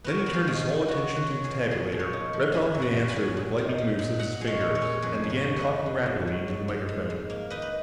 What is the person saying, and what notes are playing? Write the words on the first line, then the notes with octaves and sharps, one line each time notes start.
Then he turned his whole attention to the tabulator, ripped off the answer with lightning moves of his fingers and began talking rapidly into the microphone.
B3 F#4 A#4
B3
F4 G#4
D#3
F4
D#3
B3 F#4
F#3
F#4
F#3
F4 G#4
B2
A#2 G#4 B4
F3
A#4 C#5
D#4
F3
F#2 G#5 B5
F#3
F#5 A#5
F#3
G#5 B5
F#3
A#2
D#4
D#4
A#2
A#2 F#5 A#5
G#3
C#5 F5
A#2
A#4 C#5
C#4
F2 G#4 B4
F3
A#4 C#5
D#4
B4 D#5
F3
G#2
G#2
F#3
G#2
G#2
G#2
G#2
A#3
D#4 B4 D#5
B4